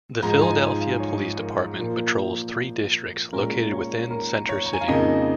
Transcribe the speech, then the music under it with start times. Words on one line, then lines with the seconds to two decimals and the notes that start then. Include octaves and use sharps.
The Philadelphia Police Department patrols three districts located within Center City.
0.22 G#2 F3 G#3 D#4 A#5
0.42 G#5
0.61 G#5
0.80 F5
1.00 C#5
1.39 A#4
1.77 A#2 F3 A#3
3.33 A#2 G#3 C#4 A#4
3.72 C#5
4.11 A#4
4.49 C#5
4.66 A#5
4.73 G#5
4.81 F5
4.88 F2 C#3 A#3 D#4 D#5